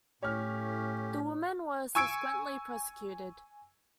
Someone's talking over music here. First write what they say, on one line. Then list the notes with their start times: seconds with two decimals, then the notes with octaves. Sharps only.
The woman was subsequently prosecuted.
0.23 A2 C#4 G4 C#5 F6
1.95 G#5 C#6 E6 G#6 C#7 D7